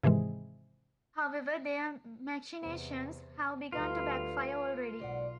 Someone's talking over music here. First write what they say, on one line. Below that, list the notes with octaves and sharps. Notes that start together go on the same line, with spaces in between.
However, their machinations have begun to backfire already.
G#2 C3 D#3 E3 G#3
E2 C3 C4
D2 G3 F4 A4 B4 A#5
B1 G#2 D5 F#5